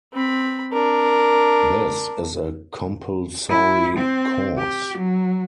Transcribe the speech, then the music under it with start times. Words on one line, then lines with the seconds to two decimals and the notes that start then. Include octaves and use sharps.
This is a compulsory course.
0.14 C4 B5
0.73 D4 A#4
3.49 E4
3.97 C4
4.58 G4
4.98 F#3